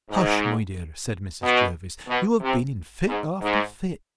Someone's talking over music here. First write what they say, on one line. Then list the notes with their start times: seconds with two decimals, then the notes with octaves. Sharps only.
Hush, my dear, said Mrs. Jervis; you have been in fit after fit.
0.10 G#2
1.42 B2
2.08 B2
2.41 C3
3.07 G#2
3.40 G#2